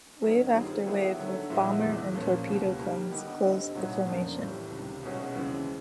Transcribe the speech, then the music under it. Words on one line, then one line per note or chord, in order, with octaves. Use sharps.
Wave after wave of bomber and torpedo planes closed the formation.
G2 D#3 F#3 A#3 D#4
D#3 G3 C4 F4 G#4
D#3 F#3 B3 E4 G4
D3 F#3 A3
A#2 F3 G#3 B3 E4
E2 C3 E3
A#2 F3 A#3 C#4
C#2 B2 G3 A#3
D#3 G3 A#3
D3 G3 B3 D#4 G4
G2 D3 G3 C4 D#4
C2 A#2 F#3 B3
F2 C#3 F3 A#3 D4
A2 E3 G3
C#2 C3 D#3 G3
C2 B2 G#3 C#4 F#4
D#2 C#3 E3 G#3 C4